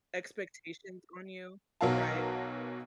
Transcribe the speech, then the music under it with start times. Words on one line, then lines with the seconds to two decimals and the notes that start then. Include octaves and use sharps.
expectations on you, right?
1.81 B1 B2 F#3 A#4 F5 A5